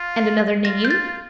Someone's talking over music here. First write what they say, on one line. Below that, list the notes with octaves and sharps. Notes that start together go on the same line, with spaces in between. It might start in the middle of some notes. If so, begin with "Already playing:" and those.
"And another name?"
Already playing: F4
F4 A#6
G6
A6